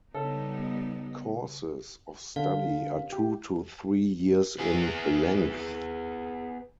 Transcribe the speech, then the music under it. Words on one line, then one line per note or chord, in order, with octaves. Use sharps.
Courses of study are two to three years in length.
C#3 G3 B3 D#4 A4
D3 F5
G4
B3 G#4